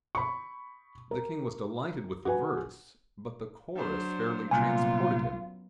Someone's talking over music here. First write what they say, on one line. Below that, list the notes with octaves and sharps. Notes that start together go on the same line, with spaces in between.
The King was delighted with the verse; but the chorus fairly transported him.
B5 C#6
A#4
F#4 B4 G#5
F#3 D4 C5
C2 F#2 A#2 F#3 B3 F4 G#5